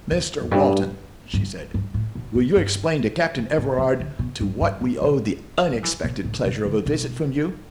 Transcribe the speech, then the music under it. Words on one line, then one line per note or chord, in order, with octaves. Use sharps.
"Mr Walton," she said, "will you explain to Captain Everard to what we owe the UNEXPECTED pleasure of a visit from you?"
E2
E2
G2
G2
G2
A2
B2
A2
G2
G2
A2
B2
D3
B2
G2
G2
A2
B2
G3
E3
B2
A2
B2
D3
B2